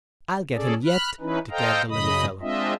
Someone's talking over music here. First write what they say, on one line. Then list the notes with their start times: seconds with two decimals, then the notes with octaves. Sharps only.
"I'll get him yet," declared the little fellow.
0.55 C#4 G#4 A4 D5
0.85 B5 F6 F#6
1.20 E3 C#4 D#4 E4 B4
1.51 A4 C5 D#5 F5 G5 A#5
1.90 F#2 C#3 D#5 B5 D#6
2.41 G#3 C4 D4 F4 D#5 E5